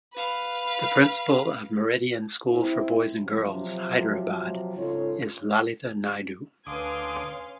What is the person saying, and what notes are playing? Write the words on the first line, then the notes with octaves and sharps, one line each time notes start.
The Principal of Meridian School for Boys and Girls, Hyderabad is Lalitha Naidu.
B4 F5
C3 C4 E4
C3 F3 F#3
G#2 C#3 F4 A4 C#5
D2 C#4 B4 F5 G#5 C6 D6 D#6